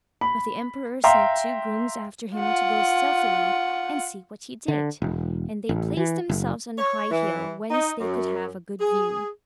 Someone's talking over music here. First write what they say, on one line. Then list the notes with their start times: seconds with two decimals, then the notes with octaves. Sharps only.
But the emperor sent two grooms after him to go stealthily and see what he did, and they placed themselves on a high hill whence they could have a good view.
0.21 B5
1.04 E5 F5 G5 A#5 C6
2.37 F4 F#5
4.68 D3
5.02 E1
5.69 A1
5.97 E3
6.29 F#1
6.78 C#5
7.11 E3
7.70 D#4
8.00 F#2
8.80 G#4